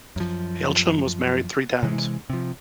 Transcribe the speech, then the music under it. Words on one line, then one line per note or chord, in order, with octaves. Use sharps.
Hailsham was married three times.
F#2 F3
C3 E3 G#3
C3 F3